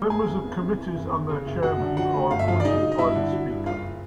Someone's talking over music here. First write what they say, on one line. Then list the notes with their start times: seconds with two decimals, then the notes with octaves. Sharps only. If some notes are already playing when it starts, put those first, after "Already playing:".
Members of committees and their chairmen are appointed by the Speaker.
Already playing: A#3
0.10 G#2 G#4 G#5
0.27 F1
0.44 E2
0.61 C3
0.78 E3
0.95 F#1
1.12 E2
1.29 C#3
1.46 F#1
1.63 F#2 F#4 F#5
1.80 D3
1.97 F3 F#4 F#5
2.14 A3
2.31 G1 F5
2.39 E5
2.48 F#2 F4 F5
2.60 D5
2.65 C#3 D#4 D#5
2.82 F#3
2.92 D#5
2.98 G2 E4 E5
3.16 D3
3.32 F#3
3.50 G2
3.66 F#1 F4 F5